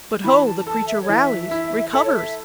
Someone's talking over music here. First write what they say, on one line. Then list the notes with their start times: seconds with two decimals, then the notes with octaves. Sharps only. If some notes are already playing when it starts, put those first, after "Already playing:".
But ho! the creature rallies--recovers!
0.24 E3 B5
0.46 A5
0.67 A4 A5
0.87 E5
1.01 C#5
1.09 E3
1.14 E5
1.51 E4
1.93 A4 E5
2.04 C#5
2.15 E5